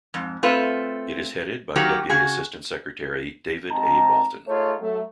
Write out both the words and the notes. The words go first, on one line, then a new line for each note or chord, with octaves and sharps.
It is headed by Deputy Assistant Secretary David A. Balton.
F2 G#2
A3 C4 F4 A4 B4
D#3 F#3 A#3 F#4 G4
C#3 F#4 G#4
G#2 F3 C4 D#4 A5 A#5
A3 D#4 F4 G#4 C#5
F#3 A3